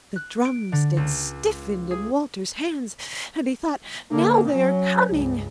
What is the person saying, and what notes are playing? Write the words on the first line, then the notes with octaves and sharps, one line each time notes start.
The drumsticks stiffened in Walter's hands, and he thought now they are coming...!
F#6
D7
D3
C#2
G#4
D3 A#3
F#3 C#4
C#2 G2